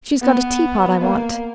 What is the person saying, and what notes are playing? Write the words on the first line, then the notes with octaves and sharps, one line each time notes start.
She's got a teapot I want.
B3
A#3